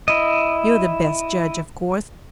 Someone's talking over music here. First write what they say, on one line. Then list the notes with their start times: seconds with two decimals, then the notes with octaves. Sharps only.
You're the best judge of course.
0.08 E4 D#5